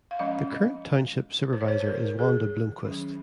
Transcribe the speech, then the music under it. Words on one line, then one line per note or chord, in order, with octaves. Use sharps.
The current Township Supervisor is Wanda Bloomquist.
F5
F3 G#3 C#4 D#5
C5
C#5
C5
C5
A#4
G#4
D#3 F#3 C#4